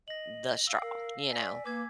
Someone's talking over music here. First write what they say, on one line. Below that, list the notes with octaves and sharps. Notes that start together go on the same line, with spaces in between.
the straw, you know?
D#5 A#6 F#7
F5 E6
A#4
D5 G#5 B6
A#3 B4 D6 G#6